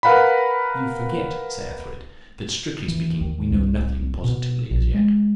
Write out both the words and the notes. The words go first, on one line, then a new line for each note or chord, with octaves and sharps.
"You forget, Sir Ethelred, that strictly speaking we know nothing positively--as yet."
A#4 B4 F5 F#5 A#5 B5
E3
D#2
C2
B2
A#1
G#3